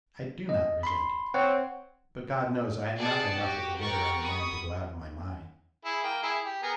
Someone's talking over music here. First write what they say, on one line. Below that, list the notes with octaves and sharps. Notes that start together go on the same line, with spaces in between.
I do not resent it: but God knows I am not enough of a literary man to go out of my mind.
D#5
B5 C6
C4 C#5 F#5
G#4 D5 F#5 A5
F#4 G4
G4 A#4 F#5 G5 C#6 A6
B5 C#6 D#6
E4 G#4
A#3 G5
E4 G#4
G4
B3 G#4 A#4